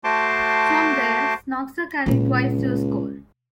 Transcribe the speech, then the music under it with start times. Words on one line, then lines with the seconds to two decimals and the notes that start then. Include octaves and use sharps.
From there, Csonka carried twice to a score.
0.04 A3 F#4 C5 A5 C6 D6
2.06 C#2 A#2 A#3